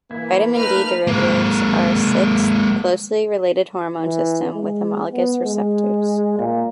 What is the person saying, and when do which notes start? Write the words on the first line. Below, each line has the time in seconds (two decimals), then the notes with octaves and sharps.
Vitamin D derivatives are a sixth closely related hormone system with homologous receptors.
0.11 E3 A#3 E4
0.58 A3 A#3 D#4 A#4 B4 F6
1.07 G#3 A#3
4.01 E3
4.55 G#3
5.12 B3
5.45 G#3
6.39 A#2